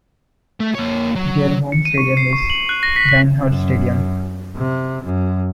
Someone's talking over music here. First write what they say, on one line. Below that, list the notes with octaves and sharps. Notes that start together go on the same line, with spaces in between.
Their home stadium is Avanhard Stadium.
A3
A#3 C#5
F#3
C#7
D#7
C#6
C7
C#6
F#7
F#6
A#6
B6
B6
F#2
C3
F#2